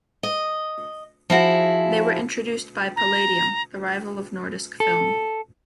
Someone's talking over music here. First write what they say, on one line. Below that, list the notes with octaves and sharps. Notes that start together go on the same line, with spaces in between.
They were introduced by Palladium, the rival of Nordisk Film.
D#5
F3 E4 F#4 G#4
A#5
A4